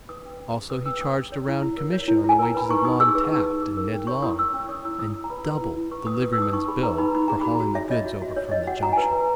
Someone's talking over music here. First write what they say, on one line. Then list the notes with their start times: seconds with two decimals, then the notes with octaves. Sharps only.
Also he charged a round commission on the wages of Lon Taft and Ned Long, and doubled the liveryman's bill for hauling the goods over from the Junction.
0.09 B4 D#6
0.25 C#4
0.40 C#4
0.55 G#4
0.70 B4 D#6
0.86 C#4 E6
1.01 C#4 D#6
1.17 G#4
1.32 C#5
1.47 E4
1.62 E4
1.78 A#4
1.93 C#5
2.08 E4
2.24 E4 G#5
2.39 A#4 A#5
2.55 B4 B5
2.69 D#4 C#6
2.85 D#4 D#6
3.00 G#4 E6
3.15 B4
3.31 D#4
3.46 D#4
3.62 G#4
3.77 A#4
3.92 C#4
4.07 C#5 C#6
4.22 E4 D#6
4.38 A#4 E6
4.54 C#4
4.68 C#5 D#6
4.85 E4 E6
4.99 E4 D#6
5.14 E4
5.24 A#5
5.30 B4 B5
5.46 B4
5.61 E4
5.76 E4
5.91 B4 C#6
6.07 B4 D#6
6.22 B4 D#6
6.33 E6
6.38 D#4 D#6
6.53 D#4 C#6
6.68 G#4 B5
6.83 B4 A#5
6.98 D#4 B5
7.15 D#4 B5
7.28 G#4 A#5
7.41 F#4 B5
7.60 F#4
7.75 C#5 E5
7.90 C#5 D#5
8.05 F#4
8.22 F#4
8.37 C#5
8.51 C#5 D#5
8.67 F#4 F#5
8.83 F#4 A#5
8.93 B4 G#5
9.02 A#5
9.13 B4